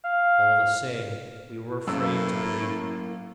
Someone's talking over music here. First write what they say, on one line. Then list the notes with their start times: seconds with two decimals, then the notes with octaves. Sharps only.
All the same, we were afraid to breathe.
0.04 F5
1.87 F#2 A2 A#3 E6